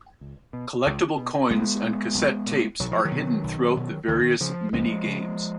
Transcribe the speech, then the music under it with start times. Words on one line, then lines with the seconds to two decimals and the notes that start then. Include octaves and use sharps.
Collectible coins and cassette tapes are hidden throughout the various minigames.
0.21 C#2
0.53 B2
0.86 C#2
1.18 B2
1.50 B1 G#3 B3
1.82 A#2
2.14 B1
2.47 A#2
2.80 B1 F#3
2.92 F3
3.05 D#3 F#3
3.11 B2
3.44 B1
3.77 B2
4.08 C#2 D#3
4.40 C#3 F3
4.73 C#2 F3 G#3
5.06 C#3